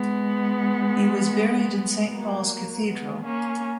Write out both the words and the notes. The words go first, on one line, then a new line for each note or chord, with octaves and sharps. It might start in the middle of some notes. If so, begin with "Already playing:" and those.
He was buried in Saint Paul's Cathedral.
Already playing: G#3 B3
F#3 A#3
G#3 B3
A#3 C#4